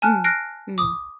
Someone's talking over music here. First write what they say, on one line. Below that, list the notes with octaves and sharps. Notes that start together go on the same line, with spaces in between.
Mm, mm.
G#5 A5 F6 F#6
F6 F#6 A#6 C7 D7
D6 D#6